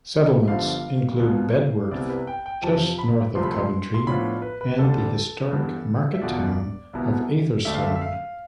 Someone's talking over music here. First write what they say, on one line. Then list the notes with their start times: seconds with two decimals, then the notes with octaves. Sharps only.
Settlements include Bedworth, just north of Coventry, and the historic market town of Atherstone.
0.47 G1 G2 D3 F3 F5
1.19 C2 B2 B3 F4
1.91 C2 C3 G3 B3 E4 D5
2.10 B4
2.27 G5
2.46 G5
2.63 F2 C3 F3 A5
2.99 B5
3.35 C2 C3 F3 A3 C4 C6
3.44 B5
3.52 C6
3.94 C6
4.07 A2 F3 B3 D4 F4 B5
4.42 B4
4.61 B4
4.79 D2 D3 G3 D4 A4
5.50 G2 E3 B3
6.14 E5
6.21 E1 E2 B2 B3 F4 D5
6.93 C2 B2 B3 E4
7.65 D2 D3 A3 D4 E5
7.74 F5
7.84 E5
7.96 E5
8.01 F5